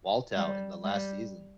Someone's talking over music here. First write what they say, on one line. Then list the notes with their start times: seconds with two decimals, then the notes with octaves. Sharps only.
Walt out in the last season.
0.36 G3
0.84 G3